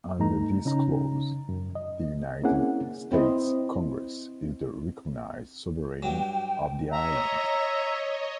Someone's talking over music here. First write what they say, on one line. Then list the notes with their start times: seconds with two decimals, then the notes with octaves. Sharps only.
Under this clause, the United States Congress is the recognized sovereign of the island.
0.19 G2 A3 D#4 A#5
0.65 C#3 C#4 D#4 A#5
1.49 F#2
1.75 D#5
2.44 A#3 C4 C#4 E4 G#4 F#5
3.12 C4 E4 C5 D#5
6.03 G2 F#3 G5
6.92 C#5 D#5 E5 A#5